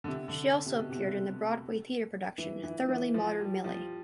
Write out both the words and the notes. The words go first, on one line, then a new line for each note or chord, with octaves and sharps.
She also appeared in the Broadway Theater production "Thoroughly Modern Millie".
D3
C3
D3
C3
B2
C3
E3
E3
E3
F3
G3
F3